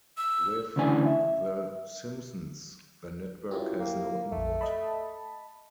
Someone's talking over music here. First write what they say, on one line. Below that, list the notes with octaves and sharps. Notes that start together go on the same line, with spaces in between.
With "The Simpsons" the network has no input.
E6
D2 C#3 E3 D4 G#5
E5
F#2 E4 F4 G4
A#3
A#1 F2 A3
D#5 A5 B5